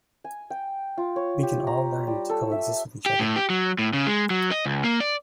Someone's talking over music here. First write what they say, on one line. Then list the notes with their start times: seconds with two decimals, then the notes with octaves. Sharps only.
We can all learn to coexist with each other.
0.24 G#5
0.50 G5
0.97 F4
1.16 C#5
1.43 G4
1.67 A#5
2.07 G3
2.29 A4
2.52 E5
3.06 G4
3.20 A2
3.36 G4
3.50 F#3
3.79 A2
3.93 C#3
4.07 G#3
4.30 F#3
4.52 D#5
4.66 C#2
4.84 A#3
5.01 D5